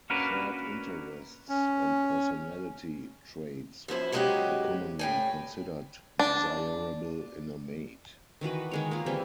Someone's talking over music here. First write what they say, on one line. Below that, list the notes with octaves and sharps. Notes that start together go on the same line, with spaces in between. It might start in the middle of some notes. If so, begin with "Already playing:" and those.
Shared interests and personality traits are commonly considered desirable in a mate.
A#3 C#4 D4 F#4 A#4 B4
C#4
F#2 F3 E4 C5
C#3 F#3 G#3 D#4 F#4 G4
A2 G5 G#5
D4
D#3 E3 F#4 B4
D#3 G#3 C#5
A#3 E4 F4
E3 G3 C4 E4